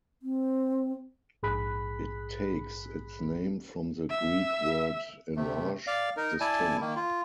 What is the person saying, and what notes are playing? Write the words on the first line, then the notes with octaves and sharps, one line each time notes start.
It takes its name from the Greek word enarge, distinct.
C4
A#1 G#2 G#4 B5 F#6 B6
E5
C3 A3
D5 F5
D#4 A#4
E4 D5 G#5 A5
D#3 A#3
F4